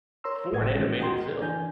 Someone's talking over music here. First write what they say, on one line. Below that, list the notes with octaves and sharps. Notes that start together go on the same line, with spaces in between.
for an animated film,
A#4 C#5 A#5 C6 E6
G1 A2 A3 E5 G#6
D#3 E3 F#3 G#3 C#4 D#4
F#4 D#5 F#5 G5 A#5 C6
A#4
E3 D4 G#5 G6